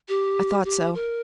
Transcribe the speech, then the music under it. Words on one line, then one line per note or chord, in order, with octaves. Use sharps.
I thought so.
G4
G4
A#4